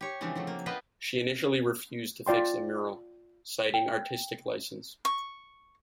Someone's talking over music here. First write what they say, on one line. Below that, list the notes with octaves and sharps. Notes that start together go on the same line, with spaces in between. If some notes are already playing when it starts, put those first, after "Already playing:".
She initially refused to fix the mural, citing artistic license.
G4 C#5
C#3 E3 F3 G#3 C4 D4
F3 F#3 A3
A#3
B3 F4 B4 D#5 G5 A5
F4 D5 G5 C6
G5
C#6